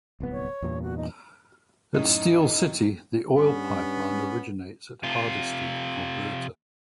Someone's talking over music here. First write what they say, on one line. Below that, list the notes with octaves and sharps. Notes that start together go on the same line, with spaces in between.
At Steele City, the oil pipeline originates at Hardisty, Alberta.
D1 C2 B3
C#5
E2 G2 A#2
F#4
D#4
F#2 A2 D#4
G2 B3 C#4
C3 F4